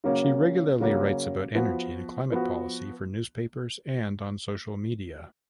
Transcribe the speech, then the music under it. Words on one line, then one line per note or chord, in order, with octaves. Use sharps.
She regularly writes about energy and climate policy for newspapers and on social media.
C#3 F#3 A#3 C#4
C#3 F#3 A#3 C#4
F3 B3 F#4
F3 B3 F#4